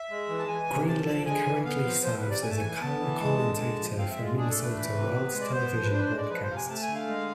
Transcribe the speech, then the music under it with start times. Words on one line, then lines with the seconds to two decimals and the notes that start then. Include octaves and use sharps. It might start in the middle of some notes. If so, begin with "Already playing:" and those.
Greenlay currently serves as a color commentator for Minnesota Wild television broadcasts.
Already playing: E5
0.10 G#3
0.29 E3
0.39 A5
0.48 E3 G#5
0.69 C3
0.87 F3 A5
1.08 D3
1.26 G#3 G#5
1.46 E3
1.64 B3 F5
1.85 F3
2.03 F3 C5
2.17 B4
2.23 C3
2.30 D5
2.43 A3 G#5
2.50 A5
2.58 E3 G#5
2.81 B3 A5
3.00 E3
3.20 G#3
3.39 D3
3.59 G#3
3.78 F3
3.98 C4 F5
4.11 E5
4.17 G#3
4.23 F4
4.37 D4 G#4
4.50 A4
4.56 A3
4.63 B4
4.75 E3 B4
4.94 C3
5.14 B3
5.33 G#3
5.41 D5
5.53 B3 C5
5.72 F3
5.84 B4
5.91 D4 C5
5.98 B4
6.04 C5
6.11 G#3
6.18 D5
6.30 F3 B4
6.43 C5
6.50 C3 F5
6.57 G#5
6.69 A3 A5
6.82 G#5
6.88 D3
6.95 F5
7.07 G#3